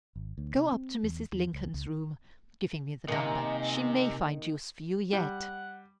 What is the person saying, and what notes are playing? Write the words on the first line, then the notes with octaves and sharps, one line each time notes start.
"Go up to Mrs. Lincoln's room"--giving me the number--"she may find use for you yet."
G#1
D2
C3
C4
E2
E2
C#2
C#2
C3 D#3 A#3 D#5 G#5
G3 F#5